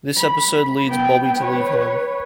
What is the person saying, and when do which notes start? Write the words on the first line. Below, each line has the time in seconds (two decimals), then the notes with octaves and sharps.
This episode leads Bobby to leave home.
0.16 B5
0.86 B3 G5
1.36 B4 C#5